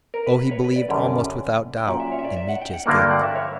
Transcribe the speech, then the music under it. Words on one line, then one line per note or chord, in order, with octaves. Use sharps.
Oh, he believed almost without doubt in Mitya's guilt.
A#4
B4
B4
C#5
B4
D5
F#2 D3 G3 C#4
G5
A#2 F#3 C#4 F#5
E5
C#5
E5
D5
E5
F#5
G5
F#5
G2 D3 F#3 A#3 D5
G5
F#5
E5
C#5